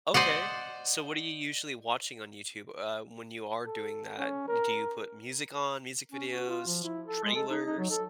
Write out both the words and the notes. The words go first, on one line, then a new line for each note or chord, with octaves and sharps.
Okay, so what are you usually watching on YouTube, uh, when you are doing that? Do you put music on, music videos, trailers?
C5 D5 D#5 F#5
A4
C#4
A#4
C#4
F#4
F4
F3
E4
A4
G#3
A4
D#4
D#4
F#3
A4